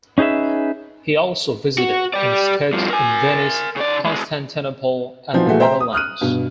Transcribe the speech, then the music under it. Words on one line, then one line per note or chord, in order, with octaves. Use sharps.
He also visited and sketched in Venice, Constantinople and the Netherlands.
C#4 D#4 G#4 B4 E5
F#4
G4 D5
G2 F3
A#4 G#5
C#3 D5
E2 G#3
E3 F3 C4 D#4 F#4
A#2 E3 G#3 A3 F#4
C5 E5 G5 A#5
D#6
D#6 F6 F#6 D#7
G2 B2